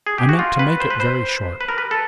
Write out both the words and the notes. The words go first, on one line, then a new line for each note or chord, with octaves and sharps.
I meant to make it very short.
G#4
G4
F#4
F4
B4
C5
B4
C5
B4
A#4
B4
A4